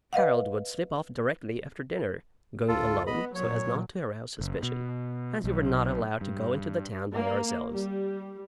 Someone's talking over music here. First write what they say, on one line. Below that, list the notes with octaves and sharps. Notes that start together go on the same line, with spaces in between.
Harold would slip off directly after dinner, going alone, so as not to arouse suspicion, as we were not allowed to go into the town by ourselves.
B4 D#5 F5 F#5
D2 F4 A4
B3 D#5 B5
A#2 F#3 C#5
F#1
B2
B1
G2
A#3
G3